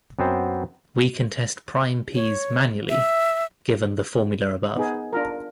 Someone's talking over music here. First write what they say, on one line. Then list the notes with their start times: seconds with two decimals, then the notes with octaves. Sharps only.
We can test prime "p"'s manually given the formula above.
0.19 F#2 B3 C4 C5
2.15 C#5
2.90 E5
4.76 B3 D#4 G#4
5.13 D4 F4 A#4